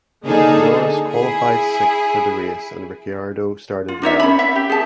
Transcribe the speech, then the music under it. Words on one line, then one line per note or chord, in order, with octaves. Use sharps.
Norris qualified sixth for the race and Ricciardo started eleventh.
D3 A#3 D#4 G#4 A4
E4 G#4
F4
D4 D#4 C#5 E5
C#4 B5
E5
G4
G#4 A5